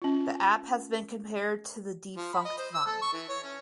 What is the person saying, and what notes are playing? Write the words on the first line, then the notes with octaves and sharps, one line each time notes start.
The app has been compared to the defunct Vine.
C#4 F4
F3
B5
D#5
C5
E6
A4
C#6
E3
C#5
C#4